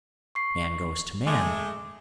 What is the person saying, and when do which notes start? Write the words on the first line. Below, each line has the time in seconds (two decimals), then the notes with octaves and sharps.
Man goes to Man!
0.35 C#6 C7
1.27 G#3 A3 D6